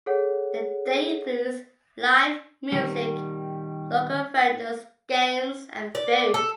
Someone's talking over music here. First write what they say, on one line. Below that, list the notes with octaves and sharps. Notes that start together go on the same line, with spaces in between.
The day includes live music, local vendors, games, and food.
G#4 A4 C#5 F#5
D#3 G3
D5
A4